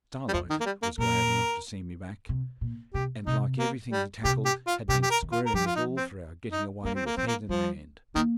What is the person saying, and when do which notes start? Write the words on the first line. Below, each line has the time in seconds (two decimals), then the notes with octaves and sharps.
Starlight was glad enough to see me back, and like everything he tackled, had been squaring it all for our getting away with head and hand.
0.29 G3
0.33 F2 F3
0.50 D#3
0.60 A#3
0.66 G3
0.82 A#3
0.98 A#2 A#4
2.29 C3
2.61 A#2
2.94 C3 G4
3.26 C3 D#4
3.59 A#3
3.92 G3
4.25 C3 G4
4.45 G4
4.67 F4
4.89 C3 G4
5.03 G4
5.10 A#4
5.22 D#3
5.32 F4
5.46 A#4
5.54 F3 G4
5.66 F4
5.76 D#4
5.97 C4
6.52 D#4
6.84 G3 A#3
6.95 C4
7.06 A#3
7.16 F3 C4
7.27 A#3
7.49 F3 G3
8.15 D#3 A#3